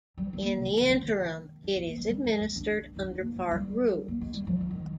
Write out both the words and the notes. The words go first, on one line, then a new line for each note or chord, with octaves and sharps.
In the interim, it is administered under park rules.
G3
C4
A#3
C3
D3
C3
D3
D#3
D4
C4
A#3
G#3
G3
G#3
C4
D4
D#4
D4
A#3
G#3
G3
A#3
G#3
G3
F3
F3
D#3